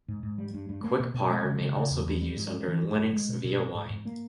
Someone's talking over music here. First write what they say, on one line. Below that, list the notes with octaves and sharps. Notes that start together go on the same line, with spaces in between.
QuickPar may also be used under Linux via Wine.
G#2
G#2
G3
G2
G2
A#3
B2
B2
G#3
C#3
C#3
C#3
E2
E2
G3
G#2
C#4
E3
G2
G2
G#3
B2
B2
G3
G#2
G#2
A#3